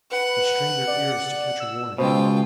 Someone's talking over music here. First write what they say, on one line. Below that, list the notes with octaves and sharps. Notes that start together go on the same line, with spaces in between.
They strained their ears to catch a warning.
B4 F#5
D5
E6
C#2 B2 F4 C5 G5